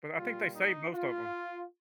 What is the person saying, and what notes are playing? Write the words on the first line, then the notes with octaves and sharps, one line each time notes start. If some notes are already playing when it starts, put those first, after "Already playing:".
But I think they saved most of 'em.
A#2 G3 F4
D#4
F4